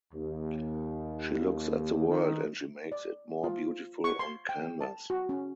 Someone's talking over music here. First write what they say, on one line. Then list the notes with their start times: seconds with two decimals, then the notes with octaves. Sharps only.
She looks at the world and she makes it more beautiful on canvas.
0.13 D#2
2.09 D#3
2.92 D5
3.44 F4
4.04 C#6
4.19 C6
4.49 G5
4.81 A5
5.10 F#4
5.29 C#4